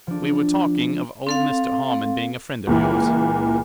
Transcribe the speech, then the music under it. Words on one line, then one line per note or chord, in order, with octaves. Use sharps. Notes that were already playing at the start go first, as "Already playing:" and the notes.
'We were talking of old Mr Harmon being a friend of yours.'
F3 D4
C4 A4 F5
C#2 A#2 E3